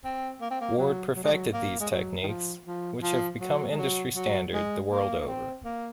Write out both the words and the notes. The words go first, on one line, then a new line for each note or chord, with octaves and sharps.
Ward perfected these techniques which have become industry standard the world over.
C4
A#3
C4
A#3
F#3
F#3
G#3
F#3
A#3
G#3
F#3
D#3
F3
F3
F3
F#3
G#3
F#3
F#3
G#3
A#3
A#3
C4
A#3